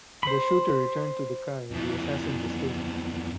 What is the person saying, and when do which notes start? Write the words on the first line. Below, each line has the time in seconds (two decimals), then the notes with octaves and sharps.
The shooter returned to the car and the assassins escaped.
0.23 C5 B5
1.71 F2 E3